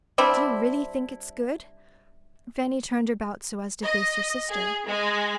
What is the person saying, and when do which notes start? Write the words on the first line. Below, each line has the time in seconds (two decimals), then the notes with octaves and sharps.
"Do you really think it's good?" Fanny turned about so as to face her sister.
0.18 G3 C4 D4 E4
3.83 D#5
4.49 G#4
4.86 G#3